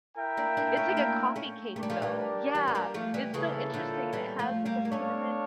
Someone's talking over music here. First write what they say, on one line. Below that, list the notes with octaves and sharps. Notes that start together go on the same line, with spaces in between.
It's like a coffee cake, though. Yeah. It's so interesting and it has, like, a cinnamon,
E4 A#4 E5 G5
A#3 D4
A#3 D4
A3 C#4
A#3 D4
A3 C#4
A3 D4 G4 A#4 D5
G3
F3 A3
E3 G3
E3 G3
C#4
G3 A#3
F3 A3
E3 G3
C#3 E3 A#3 E4 A4 C#5
D3 F3
E3 G3
F3 A3
G3 A#3
A#3
A3 C#4 D4 A4 C#5 F5